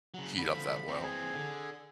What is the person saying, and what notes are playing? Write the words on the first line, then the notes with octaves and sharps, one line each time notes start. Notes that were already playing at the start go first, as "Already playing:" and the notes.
heat up that well.
C#3 F#3
D3 F3 B5
E3 C4
G#4
D3